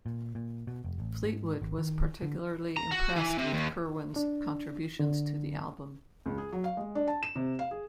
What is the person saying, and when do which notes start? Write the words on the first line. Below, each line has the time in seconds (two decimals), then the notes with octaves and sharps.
Fleetwood was particularly impressed with Kirwan's contributions to the album.
0.06 A#2
0.35 A#2
0.67 B2
0.84 F1
0.98 A1
1.24 G#2
1.62 G#1
1.78 D#3
2.23 D3
2.77 A#5
2.91 F#4
3.16 E3
3.38 C3
3.53 D#2
4.16 D4
4.99 D3
6.26 C#2
6.38 G#4
6.53 F#3
6.64 F5
6.77 G#3
6.95 D4
7.07 A5
7.23 E7
7.36 C3
7.59 F5
7.71 G#4